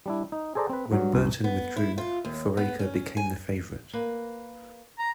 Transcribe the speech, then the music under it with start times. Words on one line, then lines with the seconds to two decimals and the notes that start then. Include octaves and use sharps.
When Burton withdrew, Foraker became the favorite.
0.06 G3 D4 E4
0.32 D#4
0.55 G#4 A4 C5 D5 A#5
0.69 C4 B4
0.91 G2 F#3
1.14 C2 F#2
1.44 B3
1.76 E4
1.98 F4
2.25 D#2
2.57 B3
2.79 C#4
3.17 G#5
3.93 A#3 B4
4.99 A#5